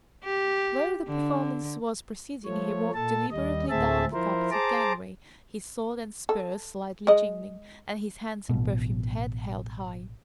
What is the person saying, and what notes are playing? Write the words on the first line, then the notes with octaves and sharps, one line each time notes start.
Though the performance was proceeding, he walked deliberately down the carpeted gangway, his sword and spurs slightly jingling and his handsome perfumed head held high.
G4
D3
F3 A3 C#5
A#2 A4 A5
D#2 G3 D#5
D2 A2 C4 G#4 E5 A5
F3 E4 A#4 C5
G#4 C5 A5 A#5 D6
A4
G#3 D#5
A1 B2